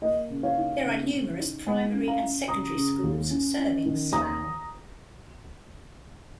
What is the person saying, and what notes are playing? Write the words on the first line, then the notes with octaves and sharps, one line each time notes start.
There are numerous primary and secondary schools serving Slough.
A#3 D#5
C#3
C#5 F5
D#4
C#3
C#3
D#4
G#3 D#5 G#5
C#4
F5 A#5
C#4
C#3 A#5 D#6
C#3
D#2
C#4
C#4
D#3
D#2 A#5 D#6